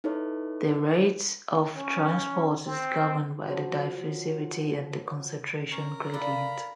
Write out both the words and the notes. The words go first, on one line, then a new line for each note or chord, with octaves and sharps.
The rate of transport is governed by the diffusivity and the concentration gradient.
D#4 E4 A4 B4 C#5
C#4
C4
F3 F#3 F4
C#4 A#4 C#5 A#5
D4 F4 A4 B5